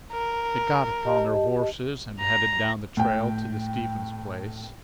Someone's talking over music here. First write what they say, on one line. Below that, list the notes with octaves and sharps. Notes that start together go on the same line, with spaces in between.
They got upon their horses and headed down the trail to the Stevens place.
A#4
G4 D#5 A5
A#5
A2 G5